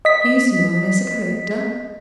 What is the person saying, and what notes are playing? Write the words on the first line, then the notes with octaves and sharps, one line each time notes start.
"He is known as a collector?"
D#5 B6